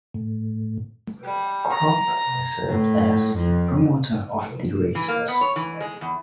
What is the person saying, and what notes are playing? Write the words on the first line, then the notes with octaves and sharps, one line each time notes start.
Kropp served as promoter of the races.
A2
G3
A#5
A2
F2
E3
A#3
B3
C#5
E3
G#3
E2